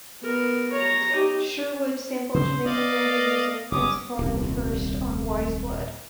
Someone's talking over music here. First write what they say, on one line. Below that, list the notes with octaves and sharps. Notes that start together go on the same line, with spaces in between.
Sherwood sampled Jamaican reggae musician Prince Far I on "Wise Blood".
B3 A#4
C#5 A#5
D#4 G4
C#3 C5
B3 D5 D#5 F5
F#1 G3 C#4 D6 D#6
D#1 C2